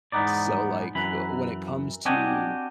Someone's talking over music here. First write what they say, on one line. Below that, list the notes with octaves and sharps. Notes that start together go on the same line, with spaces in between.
so, like, uh, when it comes to
E2 G#2 G#3 B3 D#4 D5
F#2 E3 B5
C4 D4 F#4 G4 D#5 G#5